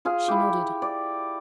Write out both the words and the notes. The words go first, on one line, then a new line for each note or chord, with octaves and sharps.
She nodded.
F4 G#4 F5
E4 G4
D5